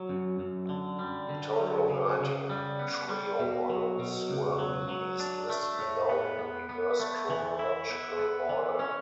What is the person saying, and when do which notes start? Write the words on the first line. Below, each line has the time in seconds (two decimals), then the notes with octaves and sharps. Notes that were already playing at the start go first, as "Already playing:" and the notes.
A total of nineteen Treo models were released, listed below in reverse chronological order.
Already playing: F#3
0.09 F#2
0.39 F#2
0.69 D3
0.99 G3
1.29 D3
1.59 F#3
1.89 C#3
2.20 C#3
2.50 G3
2.79 B3
3.09 G3
3.40 B2
3.70 F#3
3.99 B2
4.30 C#2
4.59 F#3
4.89 F#3
5.20 D4
5.50 A3
5.79 A2
6.09 B3
6.39 B3
6.69 B3
7.00 A3
7.30 E3
7.59 E4
7.89 B3
8.19 B3
8.49 E3
8.79 C#4